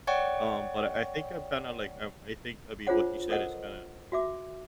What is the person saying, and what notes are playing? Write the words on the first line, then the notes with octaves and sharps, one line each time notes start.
um, but I think I'm kinda, like, um, I think a bit what you said is kinda,
C#5 D5 F#5 G5 C#6
D4 F4 G#4 C5 C#5 F#5
A4 A#4 C5 D#5 F#5
F#4 E5 D6